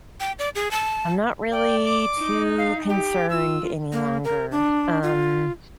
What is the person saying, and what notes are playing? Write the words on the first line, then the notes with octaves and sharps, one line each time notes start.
I'm not really too concerned any longer, um
G5
D5
G#4
A5
D5 G5
D6
D#4
F5
G4
F4 E6
A#3
A#4
D4
F4